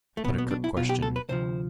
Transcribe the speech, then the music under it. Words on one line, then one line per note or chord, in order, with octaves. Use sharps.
I put a curt question.
A3
B1 B2 B3
B3
D4
E4
B1 B2 F4
G4
A4
B4
D2 C3 F3 C5